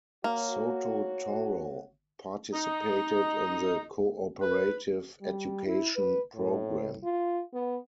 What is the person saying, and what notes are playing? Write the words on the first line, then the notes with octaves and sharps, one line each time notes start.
Soto Toro participated in the Cooperative Education Program.
A#3 F#4 C#5
D#4
B4
G3
E4
B4
A2
F4
B3